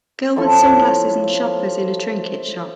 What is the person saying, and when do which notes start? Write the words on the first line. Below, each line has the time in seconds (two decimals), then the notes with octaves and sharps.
Girl with sunglasses and shoppers in a trinket shop.
0.36 F3 E4 A4 C#5